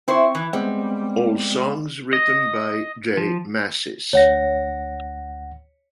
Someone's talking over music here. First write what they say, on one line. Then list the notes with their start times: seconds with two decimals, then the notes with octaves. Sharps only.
All songs written by J Mascis.
0.08 C4 E4 C5 C#6
0.35 E3
0.53 G3 G#3 B3 C4
2.13 D#5
3.17 F3
4.13 D2 C#5 F#5 A#6